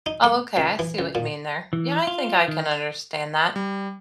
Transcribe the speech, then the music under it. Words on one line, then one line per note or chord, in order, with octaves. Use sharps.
Oh, okay, I see what you mean there. Yeah, I think I can understand that.
D#4
A3
C#2
E3
C#2
A#2
E3
F4
D#3
G3